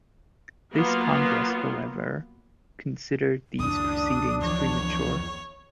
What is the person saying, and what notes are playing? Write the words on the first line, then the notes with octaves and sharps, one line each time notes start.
This Congress, however, considered these proceedings premature.
F#3 A#3 B3 F4
F#1 C#2 D#3 G#3 D4 D#6
F2 E3 F3 C#5